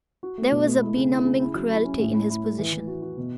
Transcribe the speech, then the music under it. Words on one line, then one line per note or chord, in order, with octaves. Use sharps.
There was a benumbing cruelty in his position.
F#4
A3
B2
A3
E4
C#3
E4
C#3
E4
F#3
E4
C#4
A2
E4
E4
A3
E3
E3
F#4
F#4
B2